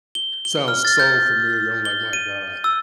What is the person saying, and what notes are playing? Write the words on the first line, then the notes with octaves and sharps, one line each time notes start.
sounds so familiar. I'm, like, "My god,
G7
G7
F6
A6
G6
G7
D#7
E6